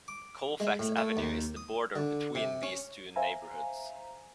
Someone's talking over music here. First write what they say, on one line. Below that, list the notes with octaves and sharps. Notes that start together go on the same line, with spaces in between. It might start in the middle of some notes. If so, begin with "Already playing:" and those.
Colfax Avenue is the border between these two neighborhoods.
D6
G#3
A2
A3
D#2
D#6
D3
C3
C#4
C5 E5 F5 G#5 A#5